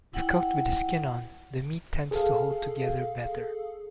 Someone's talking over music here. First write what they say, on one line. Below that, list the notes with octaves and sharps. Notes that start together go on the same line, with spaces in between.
If cooked with the skin on, the meat tends to hold together better.
E4 F#5 G5
G#4 A4 F5